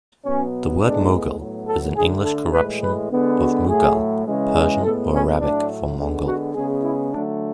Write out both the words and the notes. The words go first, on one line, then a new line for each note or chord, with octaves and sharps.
The word "mogul" is an English corruption of "mughal", Persian or Arabic for "Mongol".
B2 F#3 B3 C#4
A2 G#3 B3 D4
A2 F#3 B3
A4
D3 A3 G#4
A4
A2 E3 G#3 B4
B4
D3 G#3 B3
F#4
A2 F#3 A3 G#4
C#3 E3 G#3
G#4
A2 G#3 B3 A4
C#4
A2 F#3 A3 D4
D3 G#3 B3
F#4
C#3 G#3 B3 G#4
E4
D3 F#3 A3 D4